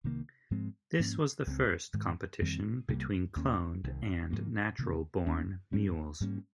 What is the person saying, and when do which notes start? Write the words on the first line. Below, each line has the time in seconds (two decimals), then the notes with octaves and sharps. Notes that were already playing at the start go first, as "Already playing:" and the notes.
This was the first competition between cloned and natural-born mules.
0.04 C2 C3 D#3 A#3
0.51 G#2 F3 G#3 C4
0.99 G#2 F3 A#3 C#4
1.46 C#2 C#3 G#3 C4
1.93 G#2 D#3 G#3
2.41 F2 D#3 G3 C4
2.88 C2 C3 G3 A#3
3.36 D#2 D#3 A#3 C#4
3.83 C2 C3 D#3
4.31 G#2 F3 A#3
4.78 C3 D#3 A#3
5.26 D#2 D#3 A#3 C#4
5.73 G#2 G3 C#4
6.20 G#2 G3 A#3 C#4